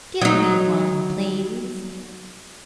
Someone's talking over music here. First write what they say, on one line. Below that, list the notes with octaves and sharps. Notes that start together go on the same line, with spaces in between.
"Give me one, please."
F#3 D#4